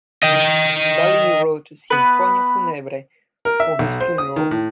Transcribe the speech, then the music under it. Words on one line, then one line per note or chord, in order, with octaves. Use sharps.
Bellini wrote a "sinfonia funebre" for his funeral.
D#5 G5
B3 B4
A#4
E5
B1
C5
D#6
D#3
A2